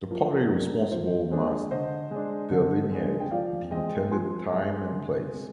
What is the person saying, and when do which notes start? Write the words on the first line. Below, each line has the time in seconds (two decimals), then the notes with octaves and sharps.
The party responsible must delineate the intended time and place.
0.11 F3 A#4
0.36 A#4
0.51 G#3 D4 A#4
0.91 F3 C5
1.31 G#3 D4 C5
1.71 D3 C5 D#5
2.11 G#3
2.16 D4
2.51 D3
2.92 G#3 D4
3.20 G5
3.31 F3 D5 F5
3.71 G#3 C4 D#5 G5
4.11 F3 G#5 C6
4.51 G#3 C4
4.92 D3
5.31 G#3 C4